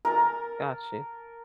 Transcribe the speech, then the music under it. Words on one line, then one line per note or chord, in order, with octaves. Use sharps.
Got you.
A#4 A5